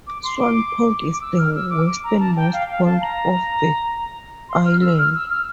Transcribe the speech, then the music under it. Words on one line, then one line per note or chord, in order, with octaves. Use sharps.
Swan Point is the westernmost point of the island.
D6
C6
D6
D6
E6
F6
E6
D6
D6
A#5
A5
G5
F5
F5
A5
A#5
C6
F6
E6
F6
E6
F6